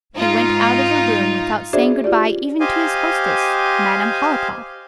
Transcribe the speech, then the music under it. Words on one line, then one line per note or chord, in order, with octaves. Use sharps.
He went out of the room without saying good-by even to his hostess, Madame Hohlakov.
G#2 D#4 F4
D4 F#4 G#4 C5 D5 E5
F4 G4 D5
G4 C5 D#5 F5 G#5